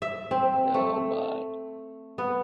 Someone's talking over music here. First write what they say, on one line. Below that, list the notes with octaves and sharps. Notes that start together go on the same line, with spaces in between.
Oh, my,
E5
C4
A3
B3